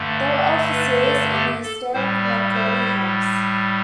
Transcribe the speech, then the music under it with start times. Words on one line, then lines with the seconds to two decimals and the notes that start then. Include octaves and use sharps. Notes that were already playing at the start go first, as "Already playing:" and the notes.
There are offices in the historic McCaughey house.
Already playing: G2 D3 A3
0.72 B4
1.02 A4
1.33 G4
1.63 A4
1.94 A2 G3 C5
2.24 D5
2.54 C5